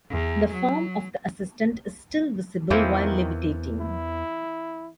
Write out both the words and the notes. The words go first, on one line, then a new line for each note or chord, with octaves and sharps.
The form of the assistant is still visible while levitating.
E2
F#3
E2 D#3 E3 A#3 C4
E4